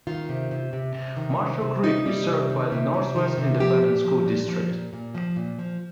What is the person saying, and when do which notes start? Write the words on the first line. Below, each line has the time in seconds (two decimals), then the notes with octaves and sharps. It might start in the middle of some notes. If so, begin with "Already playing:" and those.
Marshall Creek is served by the Northwest Independent School District.
0.07 D#3 F4
0.29 C3
0.51 C3
0.73 C3
0.95 C3
1.17 D#3
1.39 C3
1.61 C3
1.83 C3 D#4
2.06 G3
2.28 C3
2.50 D#3
2.72 C3
2.94 C3
3.16 D#3
3.38 C3
3.60 F3 G4
3.82 A#2
4.04 F3
4.26 A#2
4.48 F3
4.70 A#2
4.93 A#2
5.14 F3
5.36 A#2
5.59 F3